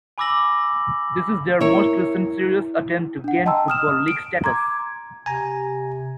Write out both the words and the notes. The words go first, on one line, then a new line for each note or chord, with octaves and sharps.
This is their most recent serious attempt to gain Football League status.
G#5 B5 D6 E6 A#6 F#7
E4 A#4 C#5
D4 F#5
D#5 G5 A5 A#5 C6 E6
D#6 F6 E7
D7
A#5 C6 D6 G#6
C3 G#5 A#5